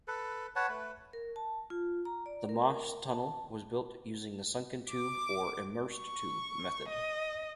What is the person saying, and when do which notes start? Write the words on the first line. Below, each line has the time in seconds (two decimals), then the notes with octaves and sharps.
The Maastunnel was built using the sunken tube or immersed tube method.
0.08 A4 B4
0.56 B4 C#5 F#5 A5
0.69 A3 B4
1.13 A#4
1.36 A5
1.70 F4
2.05 A#5
2.26 D5
2.49 A#4
3.11 A5
4.89 D6
5.95 C#6
6.89 D#5